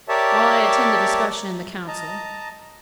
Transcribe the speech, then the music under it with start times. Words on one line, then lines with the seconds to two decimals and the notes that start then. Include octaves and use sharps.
While I attend the discussion in the Council....
0.09 G4 A#4 C#5 D5 E5 A5
1.88 D#5 A5 A#5